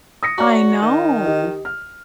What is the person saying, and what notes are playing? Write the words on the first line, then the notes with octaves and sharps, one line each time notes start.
I know.
D#6 A#6 C#7
F#4 C#5 D5 A#5
D#3
G4 D#5
F6